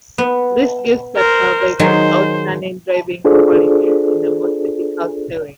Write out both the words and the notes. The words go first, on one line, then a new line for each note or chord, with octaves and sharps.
This gives Tatra vehicles outstanding driving qualities in the most difficult terrains.
B3
A#4 C5
D#3 F#3 G#3 C5
D4 F4 G#4 A4 C5 D5